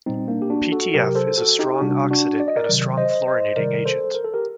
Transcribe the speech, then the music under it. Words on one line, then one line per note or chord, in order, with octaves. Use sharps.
PtF is a strong oxidant and a strong fluorinating agent.
A#2 G3 C4 D#4
A#3 D4
G4
D4 F#4
F#4 A4
C3 F#3 G4 A#4
A4 C5
F#4 A4
D#4 G4
C3 G3 D4 F#4
D4 F#4
D5
D#5
A#4 D5
C3 D#3 F#3
C5 D#5
C5 D#5
C3 D#3 G3 A#4 D5
A4 C5
A#4
A4
G4 A#4